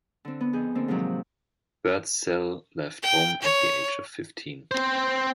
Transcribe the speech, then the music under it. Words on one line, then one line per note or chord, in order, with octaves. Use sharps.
Birdsell left home at the age of fifteen.
D3 C4
B3
F2 G#4 D#5 G6
D3 A#3 C4
G#2 C3 D#3 F3 F#3
G5
C#5
C4 C5